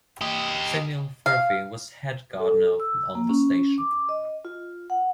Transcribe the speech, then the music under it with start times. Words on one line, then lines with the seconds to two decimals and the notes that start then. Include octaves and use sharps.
Samuel Furphy was head gardener on the station.
0.21 G4 D#5
1.26 F5
2.39 A4
2.80 E6
3.15 A#3
3.29 C#4
3.78 D6
4.09 D#5
4.45 F4
4.90 F#5